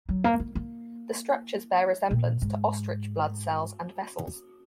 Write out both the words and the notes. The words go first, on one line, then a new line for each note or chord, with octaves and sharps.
The structures bear resemblance to ostrich blood cells and vessels.
F#3
A#3
A#3
A#3
A#2
G#2